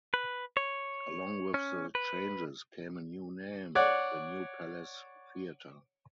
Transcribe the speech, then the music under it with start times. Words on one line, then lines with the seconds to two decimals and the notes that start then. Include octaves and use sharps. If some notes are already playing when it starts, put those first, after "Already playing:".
Along with the changes came a new name, the "New Palace Theatre".
0.14 B4
0.57 C#5
1.54 C#4
1.95 B4
3.75 C#5 D5 F#5